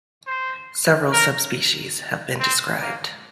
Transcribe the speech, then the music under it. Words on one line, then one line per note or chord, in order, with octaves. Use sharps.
Several subspecies have been described.
C5
A#4
C4
A#3